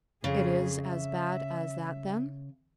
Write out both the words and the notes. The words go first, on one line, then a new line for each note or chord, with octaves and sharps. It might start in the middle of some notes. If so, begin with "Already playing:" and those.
"It is as bad as that, then?"
F2 C#3 G#4
E5